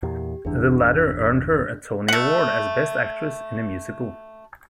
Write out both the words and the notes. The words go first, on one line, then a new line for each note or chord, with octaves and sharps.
The latter earned her a Tony Award as Best Actress in a Musical.
E2 A#2 G4
G1 E2 D4 G#4
A3 F#5